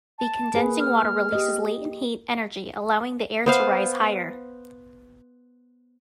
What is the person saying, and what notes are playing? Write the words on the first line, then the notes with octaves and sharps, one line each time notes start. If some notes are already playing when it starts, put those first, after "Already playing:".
The condensing water releases latent heat energy allowing the air to rise higher.
A5
A#3 G#4 B4
F6
G4 D#5
B3 C5 F5